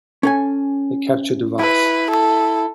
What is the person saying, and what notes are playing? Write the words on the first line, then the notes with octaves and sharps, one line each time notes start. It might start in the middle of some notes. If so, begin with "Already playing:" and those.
The capture device.
C#4 A4 G#5
E4 B4
A4